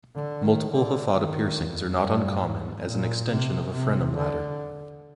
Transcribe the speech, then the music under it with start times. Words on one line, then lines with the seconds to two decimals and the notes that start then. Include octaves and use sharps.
Multiple hafada piercings are not uncommon as an extension of a frenum ladder.
0.15 D3
0.43 D#3
0.72 D3
1.15 D#3
1.57 F2
2.00 G2
2.43 G#2
2.87 A#2
3.30 C3
3.73 C3
4.16 D3